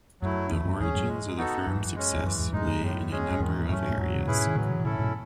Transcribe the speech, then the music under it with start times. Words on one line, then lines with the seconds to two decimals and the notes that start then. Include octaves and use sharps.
The origins of the firm's success lay in a number of areas.
0.21 F#2 F#3 A3 E4
0.51 E2 A3
0.65 F#2
0.80 E2 G#2 C#4 G#4
0.94 F#2 A2
1.08 G#3
1.37 B3 D#4 F#4 A4
1.66 F#2 E3
1.75 G#2
1.85 F#2
1.95 G#3 C#4
2.16 E2
2.24 F#2 E3
2.39 E2 G#2
2.53 F#2 A2 G#3 D#4
2.67 F#2
2.82 F#2 A2
3.10 G#3 C#4 G#4
3.30 F#2
3.39 E2 G#2 D#3
3.69 F#2 A2 A3 C#4
3.90 A2
3.98 E2 G#2 F#3
4.15 C#3
4.27 G#2 B2 C#4 E4 G#4 B4
4.46 D#3
4.55 A2 C#3 F#3
4.70 C#3 E3
4.80 B2
4.84 A2 C#3 C#4 E4 A4
4.99 G#2 B2